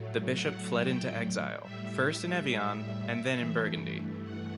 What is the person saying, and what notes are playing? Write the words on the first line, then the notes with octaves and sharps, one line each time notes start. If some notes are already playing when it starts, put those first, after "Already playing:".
The bishop fled into exile, first in Evian, and then in Burgundy.
Already playing: A2 F#3 A3
F#5
G5
A2 G3 E5
E5
G2 E3 A3
F#5